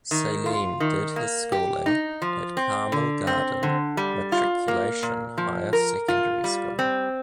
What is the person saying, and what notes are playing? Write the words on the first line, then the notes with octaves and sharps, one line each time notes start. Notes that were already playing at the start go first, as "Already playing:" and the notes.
Saleem did his schooling at Carmel Garden Matriculation Higher Secondary School.
D#3
F4
D#3
A#3
G4
D#4
F3
C4
D3
C4
D3
G3
F4
A#3
A#2
F3
A#4
F4
G3
C4